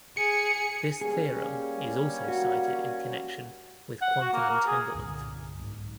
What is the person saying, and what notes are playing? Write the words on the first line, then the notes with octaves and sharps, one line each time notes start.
This theorem is also cited in connection with quantum entanglement.
G#4 C#7
G3 A#3 C#4 G#4
F#4
F#5
F#4
A#3
A#4
G#4
C2 G2 A#2 D3
B1 G#2